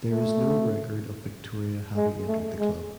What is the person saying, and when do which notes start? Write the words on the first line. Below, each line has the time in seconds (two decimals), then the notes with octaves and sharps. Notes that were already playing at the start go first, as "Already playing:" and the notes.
There is no record of Victoria having entered the club.
0.11 A3
1.97 G#3
2.27 A3
2.59 G#3